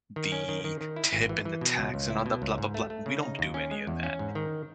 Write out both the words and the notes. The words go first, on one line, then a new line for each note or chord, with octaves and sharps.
the tip and the tax and all the blah, blah, blah" We don't do any of that,
D#3
C#4
D#3
D#3
D#3
E4
G#1
E3
E3
B2
C#2
C#2
E4
B2
C#2
G#2
A3
A3
C#3
D#4
D#2
C#4
G#3
E2
C#4
G#2
D#3